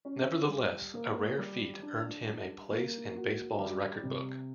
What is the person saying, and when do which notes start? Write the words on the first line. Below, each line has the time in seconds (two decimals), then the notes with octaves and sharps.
Nevertheless, a rare feat earned him a place in baseball's record book.
0.05 C#4
0.49 G3
0.94 A#3
1.38 G3
1.82 D4
2.27 G3
2.71 A#3
3.15 F#4
3.59 G3
4.03 C3